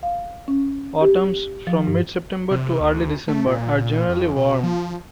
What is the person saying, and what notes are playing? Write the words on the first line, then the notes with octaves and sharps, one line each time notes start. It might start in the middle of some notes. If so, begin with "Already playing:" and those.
Autumns, from mid-September to early December, are generally warm.
F5
C#4
G4
F3
G2
C3
D2
A3
A#2
F2
B2
F3